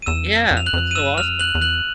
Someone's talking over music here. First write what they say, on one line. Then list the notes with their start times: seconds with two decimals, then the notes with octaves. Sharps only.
Yeah, that's so awesome.
0.02 D#7
0.06 E2 E6 E7
0.29 F2
0.51 F2
0.57 F7
0.66 F#6 F#7
0.73 F2
0.91 D#7
0.95 F#2 E6 E7
1.17 E2 F6 F7
1.25 F2
1.40 F#6 F#7
1.55 E2
1.61 F#6 F#7